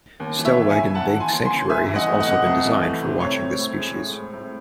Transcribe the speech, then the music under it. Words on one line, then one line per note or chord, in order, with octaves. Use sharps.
Stellwagen Bank Sanctuary has also been designed for watching this species.
D#2
E3
C#5 E5
D#2
E5 G#5
C#3
D#2 F#5 A5
E3
G#5 C6
D#2
G#5 C6
C#3
C2 E5 G#5
E3
D#5 F#5
A3
D#5 F#5
C3
C2
E3
A3
C3
A2 C#5
C4
A2
G#3
A2
C4
A2